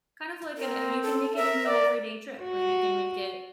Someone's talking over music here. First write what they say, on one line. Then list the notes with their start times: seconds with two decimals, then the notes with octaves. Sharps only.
kind of like an, "Oh, you can make it into an everyday trip." Like, you can make it
0.57 C4 A#4
1.03 A4
1.36 A#4 E5
1.67 D5
2.43 F#4